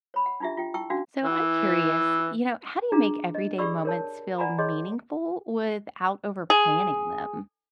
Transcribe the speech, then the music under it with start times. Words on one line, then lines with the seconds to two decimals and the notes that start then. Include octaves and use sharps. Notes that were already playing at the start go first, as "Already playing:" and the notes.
So, I'm curious, you know, how do you make everyday moments feel meaningful without over-planning them?
0.14 C#5 B5
0.26 F#5
0.40 D4 D#4 F4 G4 E5
0.57 F4 G5
0.74 E4 G5 A5 C#6 E6
0.90 C#4 D4 F#4 F5
1.22 E3
2.92 D4 D#4 F4 G#4 A#5
3.35 D#5
3.58 G4 G#4 D5 B5 C#6 E6
3.85 A#4 C#5 A5
4.38 D5 F#5 G#5 A#5 B5
4.58 G#4 C#5 D#5 C6
6.50 G#4